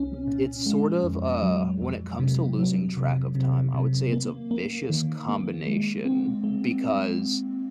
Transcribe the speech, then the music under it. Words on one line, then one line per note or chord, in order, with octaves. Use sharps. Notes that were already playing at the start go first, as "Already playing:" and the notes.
d it's sort of, uh when it comes to losing track of time, I would say it's a vicious combination, because
Already playing: C2 C#4
A#2
G#3
F2
F#3
F2
C3
F#3
C3
C3
C3
A#3
A#3
D#3
A#3
G#3
C4
G#3